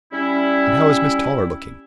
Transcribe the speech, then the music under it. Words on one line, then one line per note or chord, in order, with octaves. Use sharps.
And how is Miss Toller looking?
G3 C#4 E4